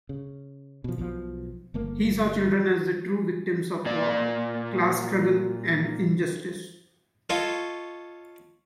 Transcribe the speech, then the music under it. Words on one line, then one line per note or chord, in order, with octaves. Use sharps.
He saw children as the true victims of war, class struggle and injustice.
C#3
B2 F3
B1 B2 E3 F3
G1 A3 A#3
A#2 D5
F4 A4 C#5 D#5